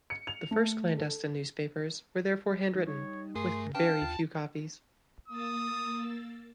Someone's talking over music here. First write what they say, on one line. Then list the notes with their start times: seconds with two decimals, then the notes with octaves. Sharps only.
The first clandestine newspapers were therefore handwritten with very few copies.
0.10 C#7
0.27 F7
0.51 A3
0.97 A4
2.75 E3 G#3 D#4
2.87 G3 D#4 C#5
3.35 G2 A3 G#4 A#4 C6
3.75 C#4 D4 B4 F5 G5 A5
4.02 D#2 F4 A6
5.28 A#3 D#6 E6 A6